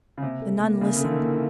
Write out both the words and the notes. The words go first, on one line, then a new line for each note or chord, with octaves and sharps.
The nun listened.
C#3
C3 A#3
A4
A#3
C#3 A#3
C#3
D3 A4
D#3
A#3
E3